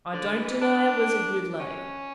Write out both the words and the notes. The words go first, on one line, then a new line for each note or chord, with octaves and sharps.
I don't deny it was a good lay.
D3
E3
D4
C#4